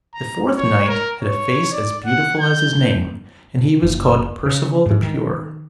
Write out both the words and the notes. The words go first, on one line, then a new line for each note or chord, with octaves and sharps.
The fourth knight had a face as beautiful as his name, and he was called Percival the Pure.
A#5
C#5
A#4
C#5
D5
F#5
G6
F#1
C#3
G#2
D#3